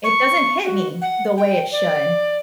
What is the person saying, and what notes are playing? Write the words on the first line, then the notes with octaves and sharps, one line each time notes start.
It doesn't hit me the way it should.
C#6
F#4
F#5
G5
D5